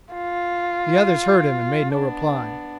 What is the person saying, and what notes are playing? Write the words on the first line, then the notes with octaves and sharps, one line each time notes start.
The others heard him and made no reply.
F4
B3 D4